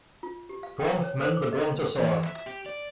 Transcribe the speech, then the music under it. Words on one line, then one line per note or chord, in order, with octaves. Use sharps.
Bronfman the brontosaur!
F4
G4
F5
G5
C#5
C5
D6
D#5
E3
E5
G4
D5